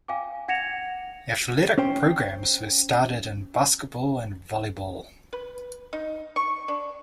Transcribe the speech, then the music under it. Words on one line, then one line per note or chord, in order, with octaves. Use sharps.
Athletic programs were started in basketball and volleyball.
F5 G5 G#5 D6
F#5 G#6 A#6 C#7 E7 F7
C#4 C5 G5
B4
D#4
C#6
D4